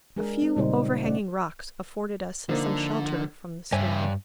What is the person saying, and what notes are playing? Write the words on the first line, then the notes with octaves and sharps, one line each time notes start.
A few overhanging rocks afforded us some shelter from the storm.
G#3 D4 G#4 A#4
C4
A#2 C#3 G3 D#4 C5
A3 C#4 D5 F#5
D3 F3 A#3 D#4
G2 C#3 C#5 D5 E5 G#5